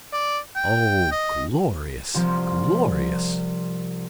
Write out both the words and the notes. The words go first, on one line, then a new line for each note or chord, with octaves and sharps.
Oh, glorious! Glorious!
D5
G5
D#5
C2 F3 C4 C6